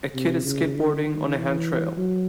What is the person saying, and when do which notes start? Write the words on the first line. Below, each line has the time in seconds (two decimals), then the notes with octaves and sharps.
A kid is skateboarding on a handrail.
0.15 C3
0.45 C#3
0.76 D3
1.06 D#3
1.36 E3
1.97 F#3